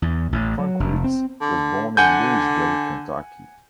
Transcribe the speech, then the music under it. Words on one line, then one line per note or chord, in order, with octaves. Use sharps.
Frank Riggs was born in Louisville, Kentucky.
E2
A1
F#3
F1
C4
D3
D3 F#5 G#5 G6